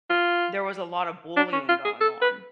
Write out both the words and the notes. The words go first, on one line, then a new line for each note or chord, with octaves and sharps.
there was a lotta bullying going on,
F4
D4
C#4
F4
G#4
A4
B4